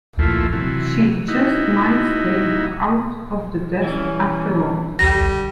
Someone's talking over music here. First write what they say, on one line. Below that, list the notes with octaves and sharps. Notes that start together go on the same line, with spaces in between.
She just might stay out of the dust after all.
F2 A#2 F3 A3 E4
C3 E3 F#3
D#4 E4 F#4
E3 G3 C#4
D3 G3 A#6